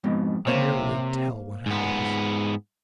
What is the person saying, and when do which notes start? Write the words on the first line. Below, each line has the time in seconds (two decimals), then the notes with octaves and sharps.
I merely tell what happens.
0.04 F2 G#2 B2
0.47 C3 A#3 C5 C#5
1.66 G#2 B3